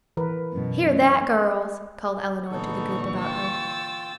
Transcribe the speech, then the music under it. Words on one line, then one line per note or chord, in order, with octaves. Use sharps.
"Hear that, girls!" called Elinor to the group about her.
E3 A#4 B4
F#2 B2
C#4
A#2 D3 E3 B3 D#4 A4 C#6
F4 G5 E6 A6